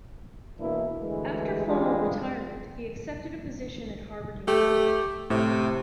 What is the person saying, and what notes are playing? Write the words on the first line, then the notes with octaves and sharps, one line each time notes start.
After formal retirement he accepted a position at Harvard University.
B2 E3 A#3 D4 E4
D2 E3 G#3
E3 G3 G#3 D4 F4
A3 G4
A2 C3